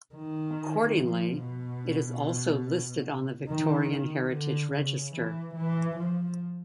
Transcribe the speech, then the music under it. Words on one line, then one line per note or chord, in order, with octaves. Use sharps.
Accordingly, it is also listed on the Victorian Heritage Register.
D#3
F3
B2
D#3
D#3
D3
C#3
E3
E3
F3